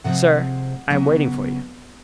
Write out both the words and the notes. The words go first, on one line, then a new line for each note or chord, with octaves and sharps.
"Sir, I am waiting for you."
C3 F3 G#3 C4 F#5
C#3 F#3 B3